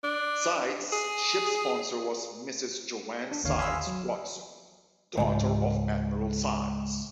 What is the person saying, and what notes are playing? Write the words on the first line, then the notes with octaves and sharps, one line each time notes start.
"Sides" ship sponsor was Mrs. Joanne Sides Watson, daughter of Admiral Sides.
D4
G#4
D4
G#1 D#2 D3 C#5 F5
F5 G#5 B5 C6 D#6 E6
F#3
C#2 G#2